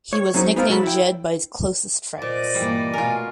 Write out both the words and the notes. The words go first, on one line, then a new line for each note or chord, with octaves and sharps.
He was nicknamed "Jed" by his closest friends.
C#5
F#2 F#3 C4 C#4 D#4 G#4
B3 C4 D#4 F4 G#4 A#4
C2 F#3 F#4 A4 B5
E4 G5
A#2 C5 D5 D#5
G2 E3 G3 A#3
B2 A3 F4 A#4 G#5